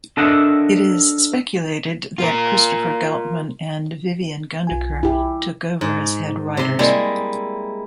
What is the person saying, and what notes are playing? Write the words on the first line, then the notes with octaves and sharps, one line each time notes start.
It is speculated that Christopher Goutman and Vivian Gundaker took over as Head Writers.
D4 A4 A#4 D#5 E5 F#5
F4 A#4
B1 F4 G#5
E4 G4
G#2
C3 C6
G3 G#3 A#3 E4